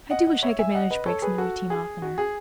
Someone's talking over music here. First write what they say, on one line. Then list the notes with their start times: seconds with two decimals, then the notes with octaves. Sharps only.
I do wish I could manage breaks in the routine oftener.
0.11 D#5 F#5
0.27 D#5 F#5
0.43 C#5 E5
0.59 E5 G#5
0.75 D#5 F#5
0.91 B4 D#5
1.06 A4 C#5
1.22 G#4 B4
1.38 F#4 A4
1.70 G#4
2.02 F#4
2.18 G#4